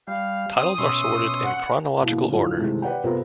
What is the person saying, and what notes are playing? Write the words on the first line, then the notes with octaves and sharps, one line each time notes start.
Titles are sorted in chronological order.
G3 F5
C4 D#6
B2 C#4 E5 C6
F#5
B2 E3 A#3
A2 D3 F3 F#3
C3 D#3 E3 G#3 A3
B4 D5 F#5 G5
C3 B3 C4 F4 A4 A#4